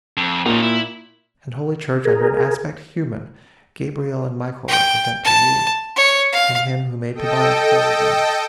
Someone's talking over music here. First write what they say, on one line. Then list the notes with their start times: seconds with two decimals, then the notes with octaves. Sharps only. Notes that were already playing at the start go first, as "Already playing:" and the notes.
And Holy Church under an aspect human Gabriel and Michael represent to you, And him who made Tobias whole again.
0.17 F2
0.46 A#2 C#4 D#4
0.62 E4
2.05 G#4 A#4
4.68 G5
5.24 A5
5.96 C#5
6.32 F5
7.15 A4 D#5 G5